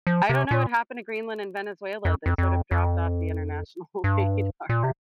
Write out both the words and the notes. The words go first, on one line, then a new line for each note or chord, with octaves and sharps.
I don't know what happened to Greenland and Venezuela, they sort of dropped off the international radar.
F3
C3
A#2
F2
F2
F2
F2
G2
A#2
C3